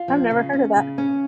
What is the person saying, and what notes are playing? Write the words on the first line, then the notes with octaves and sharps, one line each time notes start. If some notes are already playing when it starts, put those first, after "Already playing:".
I've never heard of that.
Already playing: F4
F3
C#3
C#4
C#3
C#4